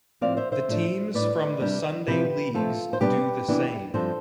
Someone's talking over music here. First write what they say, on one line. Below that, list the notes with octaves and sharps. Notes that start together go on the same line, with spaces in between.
The teams from the Sunday leagues do the same.
A2 F3 C4 D5 F5
C5 E5
C5 E5
A2 F3 A3 D4
A2 G3 D4 B4 D5
C3 G3 D4
C3 F3 C4 G4 B4
C3 F3 A3 C4 F4 A4
C5
B2 G3 B3 D4 G4 B4
C3 E3 B3 D4
G2 F3 C4 A4 C5